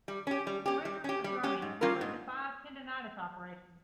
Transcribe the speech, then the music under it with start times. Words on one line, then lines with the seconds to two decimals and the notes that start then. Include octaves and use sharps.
The rigors of drumming have led to five tendonitis operations.
0.08 G3
0.27 C#4 G4
0.47 G3
0.66 C#4 G4
0.85 G3
1.04 C#4 G4
1.24 G3
1.43 C#4 G4
1.62 G#2
1.81 G3 C#4 F4 A#4
2.01 G#2